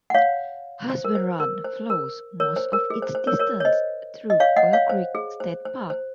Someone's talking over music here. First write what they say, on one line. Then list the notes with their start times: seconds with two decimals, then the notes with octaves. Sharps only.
Husband Run flows most of its distance through Oil Creek State Park.
0.10 F#5
0.14 C#5 F5
0.90 C5
1.05 A#4
1.15 C5
1.40 A#4
1.65 C5
1.90 A#4
2.40 A#4 C#5
2.56 C5
2.73 A#4
2.90 G#4
3.02 C5
3.15 C5
3.27 A#4 C#5
3.39 A#4 C#5
3.60 C#5
3.65 C5 D#5
4.30 D#5
4.40 C#5 F5
4.56 D#5 F#5
4.73 C#5 F5
4.89 C5
5.15 G#4
5.40 C5
5.65 C5
5.90 C5